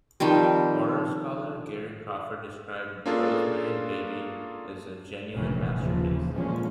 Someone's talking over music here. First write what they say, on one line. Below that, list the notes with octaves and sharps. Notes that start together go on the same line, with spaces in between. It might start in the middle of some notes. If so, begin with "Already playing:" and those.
Horror scholar Gary Crawford described "Rosemary's Baby" as "a genuine masterpiece".
D#3 F3 G3 C4
A#3 C#4 D4 F4 G#4 A4
F1 A#1 D#3 E3 C#4
D#2 C#3 E3 F3
A#2 D3 F3 G#3 A#3 C#4